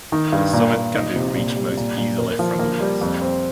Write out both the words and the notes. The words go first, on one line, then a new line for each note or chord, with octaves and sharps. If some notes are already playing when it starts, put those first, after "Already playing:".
The summit can be reached most easily from the west.
D#3
G2
A#2
A#2
D#4
C3
A#2
G3
A#2
A#2
A#4
F3
A#3
G3
F2
C4